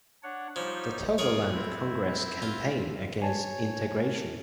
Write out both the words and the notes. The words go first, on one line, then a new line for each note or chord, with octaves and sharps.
The Togoland Congress campaigned against integration.
D4 C#5 F#5
F3 G3 D#4 C#5
F4 G#4 A#4 C#5 D#6
C4 E4
F4
C#5 G#5 A5